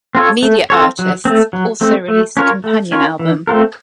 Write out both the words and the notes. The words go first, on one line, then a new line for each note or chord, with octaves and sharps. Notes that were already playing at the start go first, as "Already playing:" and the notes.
Media Artists also released a companion album.
C4 F4 A4 C#5
A3
C4 F4 A4 C#5
F#3
A3 C4
F#3
A3 C4
A3
C#4 F4 A#4 C#5
A3
C#4 F4 A#4 C#5
E3
A3 C4 F4 A#4